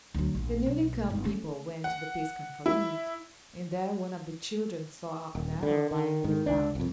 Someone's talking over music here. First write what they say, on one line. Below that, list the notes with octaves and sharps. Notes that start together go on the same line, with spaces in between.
The newly come people went to the piskun for meat, and there one of the children saw an arrow lying on the ground.
D2 F#3
A#1
B1
G1 G#2
A3 C#4
F#5
E4
D#1
D3
D#3
G#2 D#3
C#2 D4
C2 F2